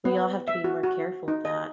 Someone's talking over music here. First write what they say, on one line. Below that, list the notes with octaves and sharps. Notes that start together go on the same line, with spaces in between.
We all have to be more careful of that.
B3
E5
F#4
F#4
D#4
D#5